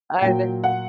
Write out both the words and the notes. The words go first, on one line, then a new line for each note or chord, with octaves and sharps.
I know.
A#2 F#3 G5
F#5